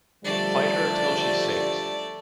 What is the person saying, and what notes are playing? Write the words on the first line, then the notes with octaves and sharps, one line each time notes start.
Fight her till she sinks.
D3 F3 G3 A3 D5